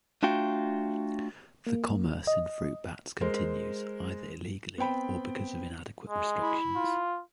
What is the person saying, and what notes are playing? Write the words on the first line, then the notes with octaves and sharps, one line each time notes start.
The commerce in fruit bats continues either illegally or because of inadequate restrictions.
A3 D4 F4 F#4 G5
A#3
D#5
G#3 A#4 C5
B3 C4 G5 B5
G#3
E4
F4